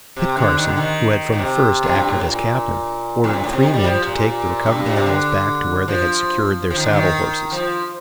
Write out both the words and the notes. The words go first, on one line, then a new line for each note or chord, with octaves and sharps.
Kit Carson, who had from the first acted as captain, ordered three men to take the recovered animals back to where they had secured their saddle horses.
C3
D3
D#3
D3
D#3
A#2
C3
F2
G2
A2
A#2
F2
G2
A2
C3
D#3
G3
F3
A#2
A#2
G2
A#2
C3
D3
F3
F3
D#3
D3
D#3
F3